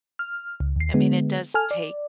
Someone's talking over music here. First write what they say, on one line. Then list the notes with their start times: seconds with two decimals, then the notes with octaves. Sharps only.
I mean, it does take
0.19 F6
0.60 C#2
0.76 D#2 C7
0.94 D3 G#3 B3
1.54 A4 G#5 F6
1.71 D5